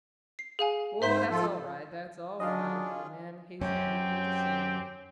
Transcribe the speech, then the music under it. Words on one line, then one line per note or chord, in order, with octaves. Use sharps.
"Oh, that's all right, that's all right," the man hastened meekly to say.
C7
G#4 F5 G#5
G#2 C5 E5 C6 B6
F3 F4 A4
F#3 C#4 D4 F4 G#4 D#5 F5
F#2 C4 C#4 G4 G5